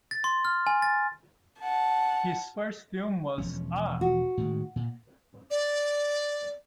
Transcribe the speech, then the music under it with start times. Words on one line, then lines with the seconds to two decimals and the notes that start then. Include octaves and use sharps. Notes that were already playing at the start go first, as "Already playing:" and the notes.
His first film was Ah!
0.11 A6
0.24 C6
0.45 F6
0.67 G#5
0.82 A6
1.59 F#5 A5
3.38 E1 F3 C#4
4.01 F#4
4.38 A2 D#3 G#3
4.76 A#2
5.50 D5